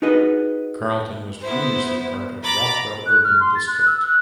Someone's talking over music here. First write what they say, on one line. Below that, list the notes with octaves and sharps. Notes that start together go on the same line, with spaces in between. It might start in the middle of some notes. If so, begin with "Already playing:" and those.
Carlton was previously part of Rothwell Urban District.
D#4 F#4 G#4 B4 D#5
B3 E4 C5
A#5 B5 D6 A6
F#6
F6
C6
A6
F#6
E6
F#6